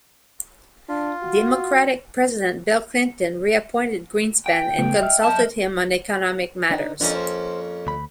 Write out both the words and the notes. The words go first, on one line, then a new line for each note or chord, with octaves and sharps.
Democratic president Bill Clinton reappointed Greenspan, and consulted him on economic matters.
D4 F4
F#4
G5
C#3 A3 B3
D#5 E5 F6
F#3 A5
D4 D#4
F2 A#3 C#4 D4 D#5
C5
D2 B5